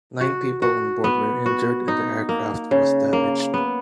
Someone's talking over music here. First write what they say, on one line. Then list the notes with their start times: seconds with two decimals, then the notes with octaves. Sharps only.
Nine people on board were injured and the aircraft was damaged.
0.21 F#4
0.62 F#4
1.04 B3
1.46 F#4
1.88 D#4
2.29 A#3
2.71 C#3
3.13 A#3
3.54 B3